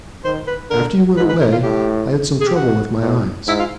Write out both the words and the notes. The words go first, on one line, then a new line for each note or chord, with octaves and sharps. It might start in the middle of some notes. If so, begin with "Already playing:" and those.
After you went away I had some trouble with my eyes.
D#3 C5
B4
D3 A#4
G#2 B4
B4
A#4
F4
A2 G4
G#4
G4
F#4
A2
G#2 E4
F4